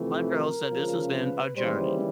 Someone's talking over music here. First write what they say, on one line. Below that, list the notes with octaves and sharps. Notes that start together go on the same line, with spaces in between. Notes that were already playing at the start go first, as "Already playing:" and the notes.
My girl said, "This has been a journey."
Already playing: F2 C3 E3 A3
A#4
C#2 C#3 F3
B4
D#2 C#3 E3 G3 C5